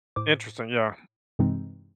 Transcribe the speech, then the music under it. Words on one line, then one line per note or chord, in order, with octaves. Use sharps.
Interesting, yeah.
A2 C5 D6
G2 C3 E3 G#3 C4 D#4